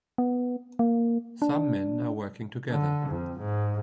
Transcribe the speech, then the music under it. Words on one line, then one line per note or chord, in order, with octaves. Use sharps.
Some men are working together.
B3
A#3
D4
D3
F2
G#2